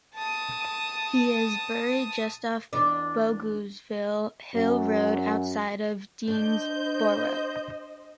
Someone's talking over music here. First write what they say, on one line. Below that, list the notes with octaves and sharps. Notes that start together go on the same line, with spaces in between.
He is buried just off Bogusville Hill Road outside of Deansboro.
A5 D#6
E2 D4 D5
F#2
D4 C5 D#5 G6